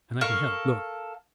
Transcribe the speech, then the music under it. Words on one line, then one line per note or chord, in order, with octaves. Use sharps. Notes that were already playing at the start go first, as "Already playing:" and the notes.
And I can help--look!
A4 A#4 F5 C#6